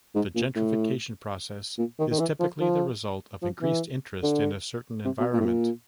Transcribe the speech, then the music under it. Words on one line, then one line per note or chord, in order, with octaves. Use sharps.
The gentrification process is typically the result of increased interest in a certain environment.
G#2
A#2
A2
A#2
D#3
D#3
E3
F3
F3
F3
E3
D3
C3
B2
A#2
A2
A#2